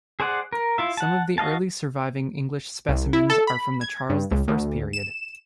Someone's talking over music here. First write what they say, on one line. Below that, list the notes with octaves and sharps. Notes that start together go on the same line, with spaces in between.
Some of the early surviving English specimens are from the Charles the First period.
G#4 C5 D5 F#5
A#4
E4 F4 E5
F#5 A5
F#4 D#5 F5 A5
C2
E4
A4
B5
G#6
G2
C#2
D2
E7